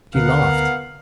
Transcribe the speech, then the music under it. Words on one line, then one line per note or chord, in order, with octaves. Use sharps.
She laughed.
D2 D3 B3 A#4 F5 F#5